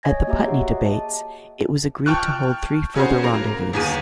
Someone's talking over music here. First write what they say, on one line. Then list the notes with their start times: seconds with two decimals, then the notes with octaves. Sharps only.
At the Putney Debates it was agreed to hold three further rendezvous.
0.03 C#5 D#5 G#5 G#6 A#6
0.27 A#3 F#4 G4 E5 A#5 D6
0.44 G#4 C#5 F#5
0.71 D#5
0.85 A5
2.06 G5 A5 C#6 F6 F#6
2.95 C#4 F#4 G#4 C5
3.23 A#3 A#4 A#5
3.73 G1 D#2 G#4 D#7